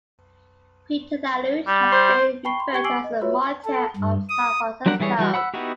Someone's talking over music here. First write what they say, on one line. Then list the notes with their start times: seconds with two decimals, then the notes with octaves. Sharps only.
Peter the Aleut has been referred to as a "martyr of San Francisco".
1.68 G3
1.92 C5
2.45 G5 A5 B5 C#6 C7 G7
2.60 B5 C6
2.73 G4 G5 C#6 G#6 C#7 G7
2.84 G#5 D6 E6 C7 D7 F#7
3.04 D#5
3.21 F4 F#4 B4 C#5 E5
3.65 A4
3.96 G2
4.29 D#6
4.86 F#3 G3 D4 A#4 F#5
5.00 E3 G3 E4 G#4 C#5
5.18 E3 G3 F#4
5.34 F#5 B5 E6
5.54 B3 D#4 E4 F#4 G4